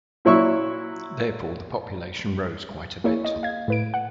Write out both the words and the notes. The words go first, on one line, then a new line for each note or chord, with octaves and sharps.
Therefore, the population rose quite a bit.
A#2 F#3 E4 C#6 E6
A#3 E4 G#4 C#5
D#5
F5 G#6
A2 B4 D7
F#5